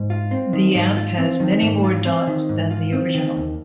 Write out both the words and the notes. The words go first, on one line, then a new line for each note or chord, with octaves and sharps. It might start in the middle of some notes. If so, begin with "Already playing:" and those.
The app has many more dots than the original.
Already playing: G#2
F4
C4
D#3
G#2
F4
C4
D#3
G#2
F4
C4
D#3
G#2
F4
C4
D#3
D#2